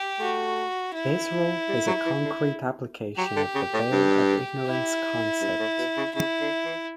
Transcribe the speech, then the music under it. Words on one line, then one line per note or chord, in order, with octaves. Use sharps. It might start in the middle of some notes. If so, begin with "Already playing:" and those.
This rule is a concrete application of the veil of ignorance concept.
Already playing: G4
A3 F#4
E4
G3
F#3
E3
D3
F#3 G4
D3
C#3
A2
G2
E4
G2
A2
B2
C#3
C#3 E4
D3
E3